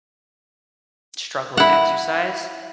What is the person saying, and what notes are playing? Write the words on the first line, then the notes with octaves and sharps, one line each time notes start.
struggle with exercise
E4 F#5